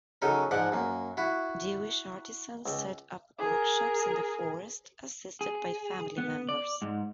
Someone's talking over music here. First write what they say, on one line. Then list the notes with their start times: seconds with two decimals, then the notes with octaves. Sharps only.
Jewish artisans set up workshops in the forest, assisted by family members.
0.22 C#3 F#3 D#4 A4 A#4
0.51 G#2 F3 D5 F#5
0.72 F#2 A#3
1.17 E4 F#4
2.66 C#2
3.38 G#4 A#4
5.41 G#4
6.18 B3
6.49 D5
6.82 G#2